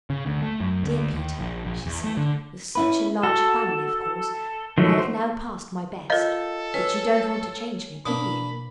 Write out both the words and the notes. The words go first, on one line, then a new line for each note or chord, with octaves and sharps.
'Dear Peter,' she said, 'with such a large family, of course, I have now passed my best, but you don't want to change me, do you?'
C#3
D2
A3
F#2
D2
D#2
A#1
A#1
E2
A3
D3
C#4 E4 B4
F#4 A4
D#3 F3 F#3 A3
C5
F4 A4 A#4 C#5 D#5 F5
C#4 B4 E6
B2 A#3 D4 B5 D6